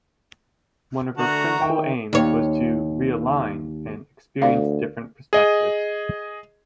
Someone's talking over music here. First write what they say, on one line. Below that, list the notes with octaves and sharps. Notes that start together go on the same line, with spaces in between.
One of her principal aims was to "realign" and "experience different perspectives".
D3 A3 F#4 A#5
D#3 E5 G5 C#6
D#2 C#5
D2 D5 F5
G#4 D#5